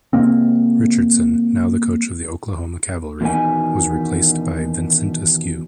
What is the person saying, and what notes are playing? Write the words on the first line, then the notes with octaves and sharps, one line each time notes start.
Richardson, now the coach of the Oklahoma Cavalry, was replaced by Vincent Askew.
C3 G#3 A#3 C4
E2 B2 D#3 B3 D#4 G#5